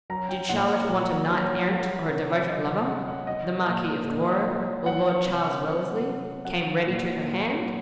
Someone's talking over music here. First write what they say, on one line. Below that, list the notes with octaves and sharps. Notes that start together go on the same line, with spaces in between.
Did Charlotte want a knight-errant, or a devoted lover, the Marquis of Douro, or Lord Charles Wellesley, came ready to her hand.
F#3 A#5
G5
A#2 F#5
A#2
F#3
F#3
C3
C3 D#5
D#5
F#3 F#5
F#5
F#3 D#5
A#2
A#2
F#3
F#3 F#5
C3
C3
F#3
F#3 F#5
A#2
A#2
F#3